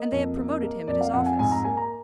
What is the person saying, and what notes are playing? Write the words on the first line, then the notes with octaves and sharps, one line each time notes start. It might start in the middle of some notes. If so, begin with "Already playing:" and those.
"And they have promoted him at his office."
Already playing: A#3 D#5
F2
A#3
A#3
F2 D5
F5
F2 F#5
G#5
G#2 G#5
A#5
A#3 G#5
A#5